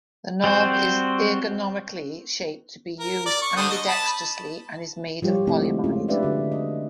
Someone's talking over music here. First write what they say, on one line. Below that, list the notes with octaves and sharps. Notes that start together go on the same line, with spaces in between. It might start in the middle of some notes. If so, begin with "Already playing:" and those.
The knob is ergonomically shaped to be used ambidextrously and is made of polyamide.
G3 C4 F#4 C5
A#4
D5
C#6
D3 C5 D#6
D#5
A5 B5
F3 G3 F4 G4 C5 C#5
C3 G#3 A3 C4 E4 D#5
G#3 A3 C#4 F4 G#4
D4 G4 B4 D5 E5 F5
D3 D4 F#4
D#5